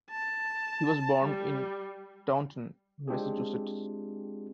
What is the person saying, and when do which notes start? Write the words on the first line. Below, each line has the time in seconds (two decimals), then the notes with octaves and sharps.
He was born in Taunton, Massachusetts.
0.10 A5
1.23 G3
3.08 G#3 C4 D4 F4 G4 G#4